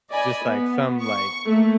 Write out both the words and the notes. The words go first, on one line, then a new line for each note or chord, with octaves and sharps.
just, like, some, like,
D5 D#5 G#5 B5
B3
C#6
A3 A#3